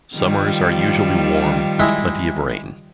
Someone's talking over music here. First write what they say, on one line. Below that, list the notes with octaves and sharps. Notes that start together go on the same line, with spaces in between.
Summers are usually warm, with plenty of rain.
D#3 F3 G3
G#3 E4